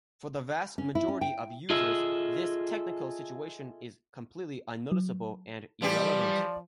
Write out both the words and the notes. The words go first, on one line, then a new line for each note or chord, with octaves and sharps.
For the vast majority of users this technical situation is completely unnoticeable and irrelevant.
C#4
E4
C#4
G5
F4 G#4 A4 D#5 E5
F#3
E3 F3 G3 E4 G4 D5